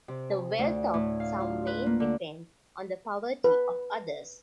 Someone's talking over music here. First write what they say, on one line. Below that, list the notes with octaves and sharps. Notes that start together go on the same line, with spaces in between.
The wealth of some may "depend" on the poverty of others.
C3
D2
A2
F5
F4
B4
A#3
D3
B4